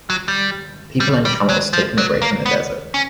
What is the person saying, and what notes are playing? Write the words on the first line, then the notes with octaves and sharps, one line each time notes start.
People and camels taking a break in the desert.
F#3
G3
G3
G3
F#3
F3
F#3
A#3
B3
C#4